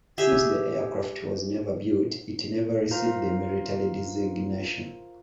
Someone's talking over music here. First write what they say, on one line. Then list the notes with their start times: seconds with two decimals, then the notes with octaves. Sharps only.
Since the aircraft was never built, it never received a military designation.
0.18 G4 G#4 E5
2.91 F4 A#4 C5 F5 A#5